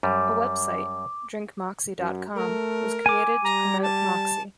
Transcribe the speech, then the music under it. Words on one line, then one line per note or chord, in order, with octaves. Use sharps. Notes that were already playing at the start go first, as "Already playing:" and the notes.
A website, DrinkMoxie dot com, was created to promote Moxie.
F#2 G3 D6
F#2
A3 A#4
G#5 D6
G3 A#5
A5